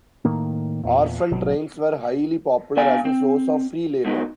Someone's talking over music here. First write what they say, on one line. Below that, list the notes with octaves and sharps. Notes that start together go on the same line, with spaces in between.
Orphan trains were highly popular as a source of free labor.
A2 D#3 A#3
E2 A#2
G#1 B2 F#3
B3 D4 F5 G#5
C4
G#2 B2 D#3 C#4 D#4